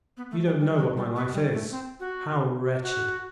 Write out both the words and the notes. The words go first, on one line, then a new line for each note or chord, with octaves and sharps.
You don't know what my life is,--how wretched.
B3
A3
G3
G3
F#3
G3
B3
G3
A3
C4
F#4
F#4